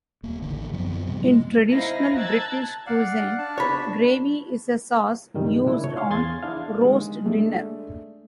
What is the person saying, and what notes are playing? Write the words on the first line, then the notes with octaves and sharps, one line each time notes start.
In traditional British cuisine, gravy is a sauce used on roast dinner.
D#1 A#3
A1 D3 D#3
F#2 F3 B3 C4
A2 C3 G3
G#3
C4 D#4 E4 F5 A#6
A5 A#5 E6 F#6 G#6 A6
D5 F5 F#5
D4 A5
C#5 B5
G2 C3 D#3 G3 G#3
A#2 C#3 D4 E4
C#5
F5 C6
E2 G#4 C6 G#6 A6
D4 E4 F5
D3 D#3 G#3
G#3 A3 D4